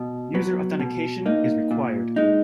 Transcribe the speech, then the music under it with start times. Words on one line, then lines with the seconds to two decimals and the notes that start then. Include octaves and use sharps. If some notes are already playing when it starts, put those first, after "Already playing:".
User authentication is required.
Already playing: B2
0.34 F#3 B3
0.80 B2
1.26 A#3 D#4
1.71 A#2
2.16 G#3 D#4